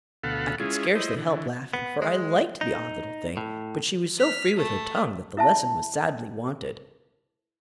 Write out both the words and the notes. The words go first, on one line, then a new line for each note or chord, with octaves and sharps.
I could scarcely help laughing, for I liked the odd little thing; but she was so free with her tongue, that the lesson was sadly wanted.
D2 B2 A4 F5 F#5 B5
G#3 C#4 E4 F4 G#4
E4 C5 D#5
D3 E3
B3
G#3
D#4
A2
F6 B6
A3
E4 E5 A5